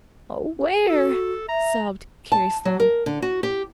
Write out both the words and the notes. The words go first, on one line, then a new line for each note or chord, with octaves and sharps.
"Where?" sobbed Carrie Sloane.
F#4 A4
E5 A#5
A5
F#3
A#4
D3
F#4
G4